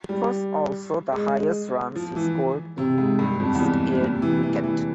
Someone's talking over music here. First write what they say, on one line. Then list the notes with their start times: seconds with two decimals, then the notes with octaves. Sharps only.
It was also the highest runs he scored in List A cricket.
0.09 G3
1.12 G#3
1.95 F3
2.16 E3
2.78 C3
2.98 G#2
3.19 G2
3.40 F2
3.55 E2
3.60 F2
4.02 A#2
4.12 C3
4.22 E3
4.43 E3
4.64 E3